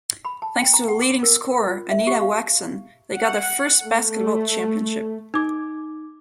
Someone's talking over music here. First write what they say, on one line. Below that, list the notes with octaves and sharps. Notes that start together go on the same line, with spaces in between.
Thanks to the leading scorer, Anita Waxen, they got their first basketball championship.
B5
A5
G5
A#5
F#5
D6
A#4
F4
E5
G4
F5
F#5
A3
D#4 D6